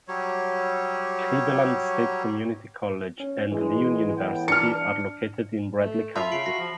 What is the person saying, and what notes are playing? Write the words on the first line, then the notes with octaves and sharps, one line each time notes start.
Cleveland State Community College and Lee University are located in Bradley County.
F#3 G3 C#5
C#4
E3 G#3
A2 B3 G5
D4 F6 C#7
A3
F4 E5 F5 A5 B5 C6
C#3 C7 D7 F#7
F#4 A#6 C7
F3